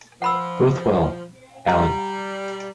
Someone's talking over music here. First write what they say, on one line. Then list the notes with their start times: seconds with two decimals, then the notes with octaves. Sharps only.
Both well - Alan.
0.22 F3 F#5 B5 E6
1.68 G3 A#5